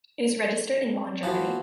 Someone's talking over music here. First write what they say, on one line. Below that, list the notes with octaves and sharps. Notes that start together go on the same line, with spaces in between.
It is registered in Bonn, Germany.
C4
E3 F3 F#4